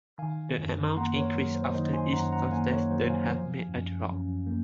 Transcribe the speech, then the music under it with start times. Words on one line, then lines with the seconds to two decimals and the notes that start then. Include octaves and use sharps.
The amounts increase after each contestant has made a drop.
0.18 D#3 F5 G#5
0.57 F#2
0.84 C6
0.97 A#3 F#5 A#5
1.16 A#4 C#5
1.35 F#3 A#4
1.55 C5
1.74 D#3 C5 D#5
1.93 G#5 C6
2.13 F#2 F#5 A#5
2.32 F#5 A#5
2.51 A#3 F5 G#5
2.71 A#4 C#5
2.90 F#3 C5
3.10 F5 G#5
3.30 F3
3.69 F#2
4.08 F#2
4.47 A#3